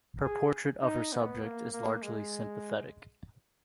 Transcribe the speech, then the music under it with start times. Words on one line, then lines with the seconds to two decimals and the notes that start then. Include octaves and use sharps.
Her portrait of her subject is largely sympathetic.
0.23 G#4
0.82 D#4
1.13 B3
1.42 A#3
1.73 A#3
2.02 G#3